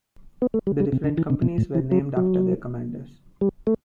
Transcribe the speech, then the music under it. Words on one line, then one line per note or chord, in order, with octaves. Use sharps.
The different companies were named after their commanders.
B3
A3
G3
G3
C3
D3
E3
C3
B2
A2
E3
F#3
F#3
G3
A3